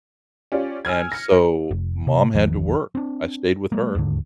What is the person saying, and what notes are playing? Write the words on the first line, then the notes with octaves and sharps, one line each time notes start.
and so mom had to work. I stayed with her
C#4 F4 G4 D5
G#5 E6 F6 G#6
A#6 C#7
F1
C3
G#1 E2 D#3 F3
C4 D4
F#3 G#3 A#3
D1 D#2 G#2 D3